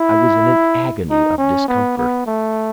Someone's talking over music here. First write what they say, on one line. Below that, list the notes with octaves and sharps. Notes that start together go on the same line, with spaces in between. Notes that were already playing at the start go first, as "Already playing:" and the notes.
'I was in an agony of discomfort.
Already playing: E4
D#4
C#4
B3
B3
A3